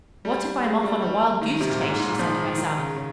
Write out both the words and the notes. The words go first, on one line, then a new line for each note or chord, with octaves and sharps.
"What if I am off on a wild-goose chase?" she said to herself.
G3
G#3
G3
G3
D#3
C3
A#2
G#2
A#2
G#2
A#2
F3
D#3
D#3
D#3
C#3
C#3